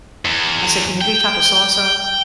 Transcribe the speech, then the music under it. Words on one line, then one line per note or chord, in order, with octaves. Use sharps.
I said, "Can you reach out to so-and-so?"
E2
G5